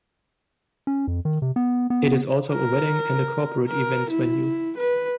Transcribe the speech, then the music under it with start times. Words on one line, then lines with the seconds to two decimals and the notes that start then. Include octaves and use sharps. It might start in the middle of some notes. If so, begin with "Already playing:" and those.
It is also a wedding and corporate events venue.
0.87 C#4
1.08 F2
1.25 D#3
1.42 C3
1.56 B3
1.90 B3
2.50 A#4
3.68 A#4
4.10 E4
4.77 B4